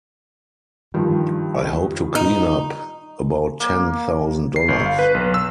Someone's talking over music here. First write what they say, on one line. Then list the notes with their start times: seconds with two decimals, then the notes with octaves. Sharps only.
I hope to clean up about ten thousand dollars.
0.94 G2 D#3 F3
2.15 D#4
3.60 A#3
4.56 C7
4.68 G1
4.86 F5
4.99 B4
5.14 B1
5.34 E6